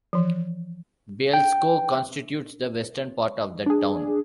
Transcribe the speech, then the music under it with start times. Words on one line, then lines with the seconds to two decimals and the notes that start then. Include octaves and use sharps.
Bielsko constitutes the western part of that town.
0.13 E3 F3
1.34 G5
3.66 D4 G#4